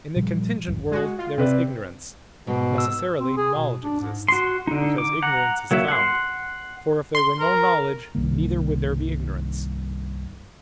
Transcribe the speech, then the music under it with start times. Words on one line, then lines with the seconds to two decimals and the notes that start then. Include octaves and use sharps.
In the contingent world there is ignorance; necessarily knowledge exists, because ignorance is found; for if there were no knowledge, neither would there be ignorance.
0.16 A#2 F3 G3
0.68 D#1 G#1 F#2
0.91 G#3 F#4
1.19 F4
1.38 C3 C4 B4 D5
2.47 G#2 B2
2.78 E6
3.20 C4
3.37 G#4
3.55 B2
3.84 D4
4.00 G#2
4.28 F#4 C6
4.67 D3 D#4
4.98 D6
5.22 F#5 A#5
5.71 F#3 A#3 F#4 E5
5.88 F#5 C6
7.15 C6
7.40 A#4
8.15 C2 G2 D#3 A#3